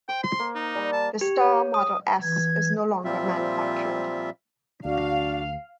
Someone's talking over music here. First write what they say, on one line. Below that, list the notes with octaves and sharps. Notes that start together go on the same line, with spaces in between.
The Star Model S is no longer manufactured.
C5 G5
C6
A#3
D#4
G3 G#5
A5
G4
C#5
D#6
E3 G#6
A#2 F3 G3 C4 F4 E5
D2 D4 F#4 F5